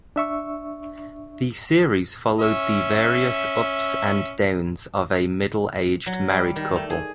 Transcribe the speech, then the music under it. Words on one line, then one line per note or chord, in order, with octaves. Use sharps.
The series followed the various ups and downs of a middle-aged married couple.
D4 E5 C#6 E6
C#4 E5
F#3
G3
D#3
A3
G#4